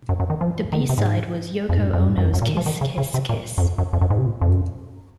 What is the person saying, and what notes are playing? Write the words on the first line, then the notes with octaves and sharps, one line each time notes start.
The B-side was Yoko Ono's "Kiss Kiss Kiss".
F#2
F#2
D#3
F3
D#3
C#3
C3
G#2
F2
G#2
F#2
F2
F#2
G#2
F#2
F2
F#2
A#2
D#3
F3
D#3
C#3
C#3
C3
A#2
F#2
F2
F#2
F2
F#2
G#2
C3
A#2
F2
F#2